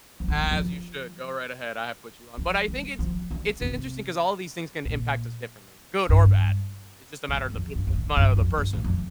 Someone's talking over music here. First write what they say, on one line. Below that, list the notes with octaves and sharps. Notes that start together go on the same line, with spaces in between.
As you should. Go right ahead. I have put you on. But I think it's it's interesting 'cause all these things can impact us differently, good or bad. It's just a matter of the peop a matter of the person.
F3
D#3
F3
D#3
F3
F3
G3
F3
D3
C3
A#2
G2
A2
G2
F2
G2
G2
A2
G2
F2
G2
A2
F2